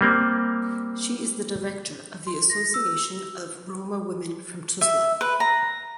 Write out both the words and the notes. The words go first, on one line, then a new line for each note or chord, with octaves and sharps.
She is the director of the Association of Roma Women from Tuzla.
G3 A#3 C4
C6
A#6
E6
E5
B4
A#5